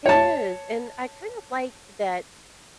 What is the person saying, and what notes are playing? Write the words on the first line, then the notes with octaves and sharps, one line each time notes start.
It is. And, I kind of like that,
C#5 A5